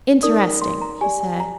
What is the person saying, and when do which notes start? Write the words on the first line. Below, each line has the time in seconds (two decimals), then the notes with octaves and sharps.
"Interesting," he said.
0.23 D#4 A#4 D5 D#6
0.61 C6
0.82 A#5
1.01 G4 D5 G#5
1.21 G#5
1.40 A#5